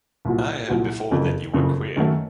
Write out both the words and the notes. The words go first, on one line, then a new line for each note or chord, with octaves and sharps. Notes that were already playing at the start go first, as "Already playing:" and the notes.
I heard before that you were queer.
C2 A#2 F#3
C2 A#2 F#3
F#1 F2 C#3
F#1 F2 C#3
F#2 D#3 F#3 A3